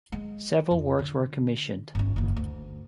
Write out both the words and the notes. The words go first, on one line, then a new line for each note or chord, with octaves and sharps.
Several works were commissioned.
G#3
F2
D3
G1 C#4
F#1 D#2
D2